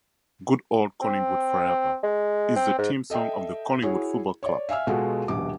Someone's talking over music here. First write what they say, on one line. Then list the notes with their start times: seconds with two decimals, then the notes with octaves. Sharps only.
"Good Old Collingwood Forever" is the team song of the Collingwood Football Club.
1.02 C4
2.03 G#3
2.56 C4
2.78 G#2
3.10 A4 D#5 E5 G5
3.82 E4 F#4 G#4 C#5
4.43 C#5 D5
4.69 E5 F5 G#5 E6 F6
4.87 B2 G#3 F4 F#4 G#4 A4
5.28 D#1 A#1 B2 D6